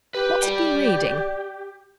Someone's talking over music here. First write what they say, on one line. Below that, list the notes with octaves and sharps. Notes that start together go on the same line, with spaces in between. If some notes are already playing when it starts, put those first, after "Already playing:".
What's it been reading?
G4 B4
D5 G5